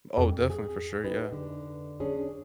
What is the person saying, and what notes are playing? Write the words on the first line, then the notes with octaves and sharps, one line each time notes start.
Oh, definitely, for sure, yeah.
F2
G#4
D#4 G4 B4
D3
C#4 D4 G#4